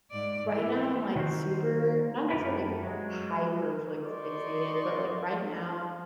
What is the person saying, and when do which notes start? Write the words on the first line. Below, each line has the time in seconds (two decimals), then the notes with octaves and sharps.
right now I'm, like, super not necessarily like hyper-fli fixated, but like right now
0.11 G#2 D5
0.47 E3
1.16 D#3 A3 F#4 G4 A#4 C5
2.30 F#2 C3 A3 G4 A#4 B4
2.83 F#3 G#3
4.00 D#4 F#4 D5 D#5 C6 C#6